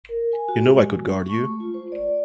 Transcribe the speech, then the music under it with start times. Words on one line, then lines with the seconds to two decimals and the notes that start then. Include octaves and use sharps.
You know I could guard you.
0.09 A#4
0.33 G#5
0.48 F#4
0.65 G#3
1.10 C#6
1.30 A3
1.60 F4
1.74 C5
1.92 D5